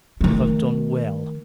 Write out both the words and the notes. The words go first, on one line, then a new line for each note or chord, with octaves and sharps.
You have done well!
D#3 A3